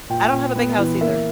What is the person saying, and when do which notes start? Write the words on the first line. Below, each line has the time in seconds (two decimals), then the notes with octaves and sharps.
I don't have a big house either.
0.09 A#2 G5
0.33 A#2
0.56 B3
0.78 E3
1.01 A#3 E5